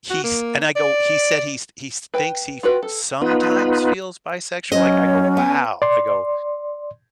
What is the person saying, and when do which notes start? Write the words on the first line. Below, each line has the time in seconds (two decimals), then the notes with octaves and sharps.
"He's" And I go, "He said he's he's thinks he f sometimes feels bisexual?" Like I go, "Wow," I go,
0.10 F#4
0.24 A#3
0.76 D5
2.14 B4 G5
2.63 F4 F#4 B4 G5
2.83 A4
3.22 B3 D#4 F4 B4
4.72 F#3 C#4 C#5 D#5
5.37 B3 G#5
5.82 D5 C6